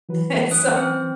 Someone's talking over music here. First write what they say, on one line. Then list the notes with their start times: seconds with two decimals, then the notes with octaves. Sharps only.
And so,
0.09 E3 F#3 B4
0.51 C#4 D#6 F#6
0.74 C4 C5